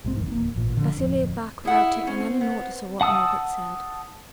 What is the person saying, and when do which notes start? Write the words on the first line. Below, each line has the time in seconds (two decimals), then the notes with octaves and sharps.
Bessy lay back without taking any notice of what Margaret said.
0.04 B1 G#2 C4
0.16 F#1 E2 D#3
0.31 D1 A#3
0.56 A1 A#2
0.77 D3 F3 D4
0.94 D1 F2
1.65 E4 G#4 F#5
2.07 C4 C#4
2.41 B3
3.01 F#5 A5 D#6 E6